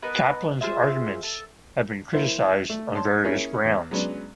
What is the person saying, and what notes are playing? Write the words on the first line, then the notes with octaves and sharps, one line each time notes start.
Kaplan's arguments have been criticised on various grounds.
B3 D#4 A#4 B4
F4 G#4 C5 E5
A4
E3 A#3 E4 C5
A3
C#5 A5 C6
A#3 C#4 E4 G#4 C#5
E2
F#3 G#3 B3 C#4 D4